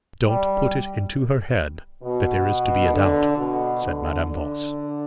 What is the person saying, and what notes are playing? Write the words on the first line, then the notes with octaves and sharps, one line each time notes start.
'Don't put it into her head that there is to be a doubt,' said Madame Voss.
G3
B2
D3
B2
D3
D3